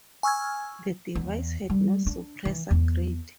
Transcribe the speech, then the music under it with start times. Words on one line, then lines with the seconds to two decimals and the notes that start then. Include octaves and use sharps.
The device had no suppressor grid.
0.23 G#5 C#6 E6 F6 G#6
1.15 E2
1.70 G3
2.07 D4
2.45 E3
2.71 E2